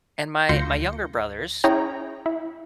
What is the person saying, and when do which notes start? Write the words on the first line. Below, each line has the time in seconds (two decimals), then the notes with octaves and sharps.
And my my younger brothers,
0.49 D2 F4 C6 G6 A#6 C#7
1.64 C#4 E4 G#4 C#5 G5 A#5
2.26 E4